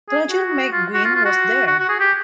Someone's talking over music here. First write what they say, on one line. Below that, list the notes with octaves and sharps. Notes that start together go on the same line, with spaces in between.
Roger McGuinn was there.
G#4
F#4
F4
F#4
F4
F4
F#4
F#4
F#4
G#4
G4